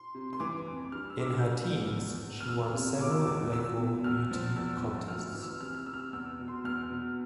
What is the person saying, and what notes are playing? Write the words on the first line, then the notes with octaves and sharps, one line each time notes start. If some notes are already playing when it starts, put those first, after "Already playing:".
In her teens, she won several local beauty contests.
Already playing: C6
C3
C6
E3 D6
F2
G2 F6
E6
G2 D6
E6
G6
G2 F6
F3
E2
E2
F6
E2 E6
C3
B2 D6
E6
E2 D6
B2 E6
B2
E2 F6
F3
E2 E6
F3
E6
D2 F6
F6
E3
E6
C3 F6
F6
C3 E6
F6
E6
E2 E6
B2
C6
E2 F6
B2